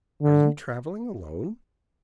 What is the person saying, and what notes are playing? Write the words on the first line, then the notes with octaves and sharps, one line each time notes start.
"Are you traveling alone?"
D3